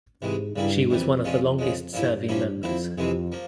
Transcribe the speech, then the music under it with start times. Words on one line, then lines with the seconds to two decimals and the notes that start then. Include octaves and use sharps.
She was one of the longest serving members.
0.22 G#2 C3 E3 G#3
0.56 G2 C#3 G3 A#3 E4
0.90 F2 C3 E3 G3
1.24 A#2 F3 G#3 C#4 F4
1.59 C#3 F3 G#3
1.93 G2 A#2 F3 A#3 E4
2.29 F3 A#3 C#4 E4
2.63 F2 F3 C4 E4
2.97 F2 C3 E3 G#3 C4
3.32 F3 A#3